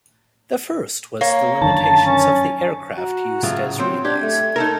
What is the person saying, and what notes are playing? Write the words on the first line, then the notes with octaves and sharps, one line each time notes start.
The first was the limitations of the aircraft used as relays.
A#3 C#5
F#2 D3 D#3 A5
C#4
F#4 A#5
A2 C#3 F#3 F4
F#3 C4 C6
D4 G4 G#6
A3
D#4 A4 A#4